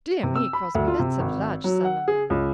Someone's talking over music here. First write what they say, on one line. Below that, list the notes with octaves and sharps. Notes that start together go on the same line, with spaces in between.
"Dear me, Crosbie; that's a large sum of money."
C3
E6
B5
D2
F4
C3
G#1
F#3
F#5
G#4
C#2